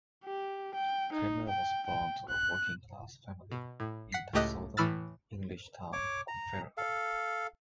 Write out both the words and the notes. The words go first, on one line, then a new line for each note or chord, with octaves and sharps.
Cremer was born to a working-class family in the southern English town of Fareham.
G4
G5
D#4
G5
G5
F#6
B2
A2
F#5 B6 C7
C#2 A2 A3 G4 D#5 F#6
A2 E3 B5 E6 F6 A6
C#5 D6
A#5
A4 F5